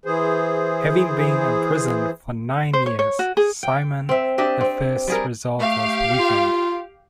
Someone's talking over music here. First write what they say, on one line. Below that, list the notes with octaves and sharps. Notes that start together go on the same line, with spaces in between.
Having been imprisoned for nine years, Simon the First's resolve was weakened.
E3 G#4 C5
C5
C#5
C#5
F#4
G#4
G5
C4 E5
D4 G4 D#5 E5
C4
G3 G#4 A#4
A3 G4 F5
F4